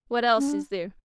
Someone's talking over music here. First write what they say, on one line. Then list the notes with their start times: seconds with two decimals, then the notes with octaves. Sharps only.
"What else is there?"
0.37 C#4
0.48 D4